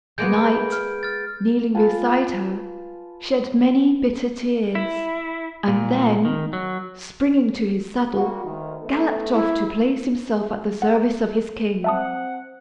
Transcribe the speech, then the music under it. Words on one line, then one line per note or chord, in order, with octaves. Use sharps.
The knight, kneeling beside her, shed many bitter tears, and then, springing to his saddle, galloped off to place himself at the service of his king.
G#3 A#3 B3 G6 G#6 D7
B3
F6
F6 A6
F4 B4 G#5 A5
E4
A#2
D#3
F#3
G3 A#3 F#4
D2 D#3
A3 B3 A4
E4
F#5
C4 E5 F#5 A5 D#6